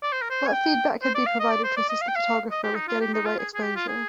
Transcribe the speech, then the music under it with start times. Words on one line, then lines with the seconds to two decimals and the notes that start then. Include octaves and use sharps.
What feedback could be provided to assist the photographer with getting the right exposure?
0.03 D5
0.12 C5
0.22 A#4
0.30 C5
0.47 G#5
0.53 G5
1.03 C5
1.15 D5
1.26 F5
1.40 D#5
1.51 D5
1.64 C5
1.77 D5
1.89 D#5
2.01 F5
2.08 G5
2.16 F5
2.51 D#5
2.63 G4
2.75 D#4
2.88 F4
3.01 G4
3.14 D#4
3.25 F4
3.39 G#4
3.54 G#4
3.63 G4
3.76 F4
3.88 G#4